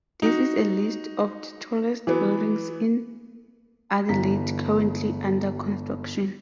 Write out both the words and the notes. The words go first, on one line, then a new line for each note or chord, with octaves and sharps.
This is a list of the tallest buildings in Adelaide currently under construction.
D#4 F#4
E3 F#3 B3
G1 E3 A#5 B6